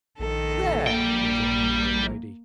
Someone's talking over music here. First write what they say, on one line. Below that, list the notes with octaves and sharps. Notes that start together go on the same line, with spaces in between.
'There!' rejoined the married lady.
A#1 D#3 A4
G3 A#3 G5